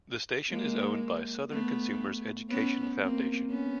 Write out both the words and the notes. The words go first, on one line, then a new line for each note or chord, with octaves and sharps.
The station is owned by Southern Consumers Education Foundation.
G#3 A#3
A3 B3
B3 C#4
A#3 C4
B3 C#4